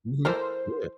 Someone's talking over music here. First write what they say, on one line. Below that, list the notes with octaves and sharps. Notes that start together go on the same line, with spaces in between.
Mhm. Yeah.
E3 A4 A#4 C5